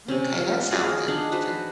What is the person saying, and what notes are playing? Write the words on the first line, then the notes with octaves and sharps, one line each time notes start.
Okay, that sounds interesting.
C3 C4 C#4
C#4 F4
F4 F#4 G#4 A#4
D4 D#4 G#4 F#5
F#4 B4 C5